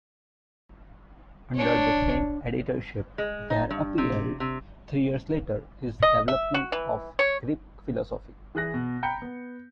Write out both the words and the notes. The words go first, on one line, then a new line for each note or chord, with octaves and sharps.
Under the same editorship there appeared, three years later, his "Development of Greek Philosophy".
D4 C#5
G#3
D#4
G2
C3
C3
D#5
E5
F#4
E3
C#5
E3 G#4 F#6 A#6
B2
G5 A#5 B5 G6 C#7
B3